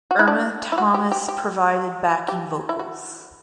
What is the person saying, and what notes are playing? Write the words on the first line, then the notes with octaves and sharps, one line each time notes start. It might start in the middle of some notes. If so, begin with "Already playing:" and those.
Irma Thomas provided backing vocals.
F#4
E4
D4
E4
F#4
G4
G4
G4
G4
E4
F#4